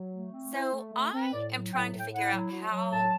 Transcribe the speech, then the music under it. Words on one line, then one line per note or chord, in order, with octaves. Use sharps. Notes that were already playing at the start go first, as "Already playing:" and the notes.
So, I am trying to figure out how
Already playing: F#3
A3
C4
E4 C5
A3
A3
C4
A2 D5
F#3
A2 G5
A2
G5
E4 F#5
F#3
F#3
F#3
A2 A5